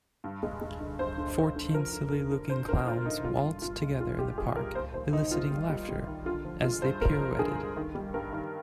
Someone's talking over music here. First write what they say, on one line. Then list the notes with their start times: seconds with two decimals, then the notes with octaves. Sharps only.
Fourteen silly looking clowns waltzed together in the park eliciting laughter as they pirouetted.
0.24 G2
0.43 G#3
0.61 G#3
0.80 D3
0.99 G2 C5
1.17 D3
1.37 D3
1.56 D3
1.74 F3 A#4
1.93 D3
2.12 D3
2.31 D3
2.50 D3 C5
2.68 D3 A#4
2.87 D2 F4
3.06 D3 D#4
3.24 G2 F4
3.44 G2
3.62 G2 F4
3.82 G#3
4.00 G#3 F4
4.19 G#3 G4
4.38 G2 G#4
4.56 G2 A#4
4.75 D#2 C5
4.94 D#2 C5
5.13 D#3 D#4
5.31 D#3 F4
5.51 G3
5.70 G3
5.89 G3
6.07 D#3
6.25 D3 F4
6.45 F3
6.63 G#3 F4
6.82 G2 C5
7.01 G#3 A#4
7.19 F3
7.39 D3 G#4
7.58 G2
7.77 D#3
7.95 G3
8.14 G2 A#4
8.33 D#3